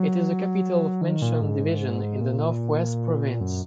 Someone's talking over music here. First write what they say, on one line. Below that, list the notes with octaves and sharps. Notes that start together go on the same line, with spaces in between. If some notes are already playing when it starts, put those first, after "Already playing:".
It is the capital of Menchum division in the Northwest Province.
Already playing: F#3
D#3
A#2
G#2
A#2
F#2